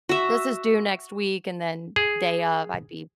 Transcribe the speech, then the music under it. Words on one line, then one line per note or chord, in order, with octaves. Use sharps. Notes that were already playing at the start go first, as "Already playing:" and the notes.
this is due next week," and then day of, I'd be,
F#4 E5
G#4